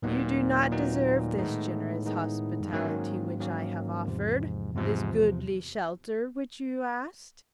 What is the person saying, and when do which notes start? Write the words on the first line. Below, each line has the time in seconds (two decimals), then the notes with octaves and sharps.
You do not deserve this generous hospitality which I have offered, this goodly shelter which you asked.
0.02 D#2 A#2 D#3 F#3 B3 D#4
0.70 D#2 D#3 F#3 B3 D#4
1.37 A2 D#3 G#3 B3 D#4 G#4
2.05 D#3 G#3 B3 D#4 G#4
2.61 G2
2.73 G#2 D#3 F#3 A#3 C#4
3.40 D#3 F#3 A#3 C#4
4.07 E2 C3 F3
4.75 E2 G#2 C3 F3